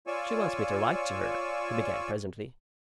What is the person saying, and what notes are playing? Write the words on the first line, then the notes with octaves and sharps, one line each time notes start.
"She wants me to write to her," he began, presently.
F4 C#5 D5 G#5 C#6 E6